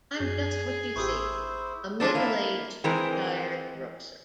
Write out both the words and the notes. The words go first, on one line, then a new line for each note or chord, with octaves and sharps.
I'm just what you see — a middle-aged retired grocer.
F#2 G#4 G6
A1 E4 G4 C5 C#6 D#6 E6
F3 G#3 C#4 D4 A4
A#3 E4
E3 G#3 C4 A#4